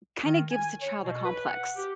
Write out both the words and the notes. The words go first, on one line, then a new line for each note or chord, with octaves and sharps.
kinda gives the child a complex.
D#3
G#5
C#5
B2
B4
F#5
G4